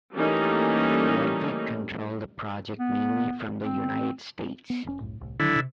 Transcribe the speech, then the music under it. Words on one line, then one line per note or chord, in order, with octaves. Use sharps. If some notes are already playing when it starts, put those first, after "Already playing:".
Ludwig controlled the project mainly from the United States.
E3 G3 A3 A#3 C#4 D#4
B3
C4
B3
F1 A#2 C#4
C2 F#2 A2
D#1 C2 A2
D3 D#3 F#3 E4
C3